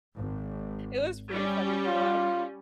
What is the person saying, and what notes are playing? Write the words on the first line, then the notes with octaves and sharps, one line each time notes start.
Iit was pretty funny to watch.
G#1
G3 C#4
F4